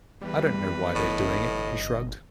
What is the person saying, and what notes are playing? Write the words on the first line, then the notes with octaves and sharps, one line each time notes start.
"I don't know why they're doing it," he shrugged.
E2 G3 B4
G1 A2 D#5